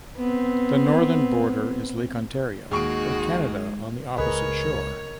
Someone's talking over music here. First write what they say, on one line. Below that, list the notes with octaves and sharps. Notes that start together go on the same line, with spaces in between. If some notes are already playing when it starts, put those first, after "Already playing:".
The northern border is Lake Ontario with Canada on the opposite shore.
B3 C4
D#2 G#3 D#4 F#4 G#4 C#6 D7
C#2 G#4 A#4 B4 C#5 D#5